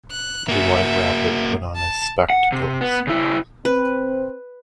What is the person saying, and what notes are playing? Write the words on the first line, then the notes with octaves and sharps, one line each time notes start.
The White Rabbit put on his spectacles.
F#6
A#3 F#4 E5
A5
F#5
C3
B3
C#3 E4
C4 B4